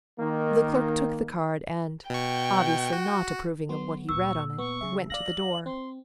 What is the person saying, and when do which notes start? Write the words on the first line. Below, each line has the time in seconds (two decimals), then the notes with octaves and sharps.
The clerk took the card and, obviously not approving of what he read on it, went to the door.
0.19 D#3 A#3
2.10 B2 G5 C#6
2.92 F#4
3.69 F#3 B3 F#4 C6
4.09 D2 A#2 C#6 E6
4.58 B3 C#6
4.81 C#3 F#3 G#4 E5
5.10 F4 D5 F5 A#6 F#7
5.66 C4 C6